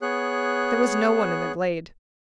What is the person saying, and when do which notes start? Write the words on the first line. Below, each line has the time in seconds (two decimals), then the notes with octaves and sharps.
There was no one in the glade.
0.02 B3 G#4 C#5 F#6